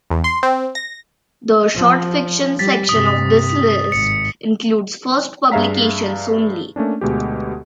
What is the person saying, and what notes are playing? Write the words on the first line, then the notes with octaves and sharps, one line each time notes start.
The Shortfiction section of this list includes first publications only.
E2
C6
C4
A#6
F3
G3 A6 B6
G2 C3 D#6
G#1 C#7
G2 G#4 E5 F5 A#5 B6
A3 A#3 C#4 D4
D2 B2 G#3 G4